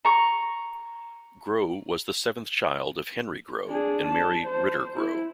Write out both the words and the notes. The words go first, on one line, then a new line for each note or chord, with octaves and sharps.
Grow was the seventh child of Henry Grow and Mary Riter Grow.
A#5 C#6
D4 G#4
A5
C5
E4